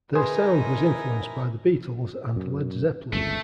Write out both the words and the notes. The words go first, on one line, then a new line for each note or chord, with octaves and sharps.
Their sound was influenced by The Beatles and Led Zeppelin.
D#4 E4 G#4 A#4 B4 G#5 C6
F#2
G1 C#2 A3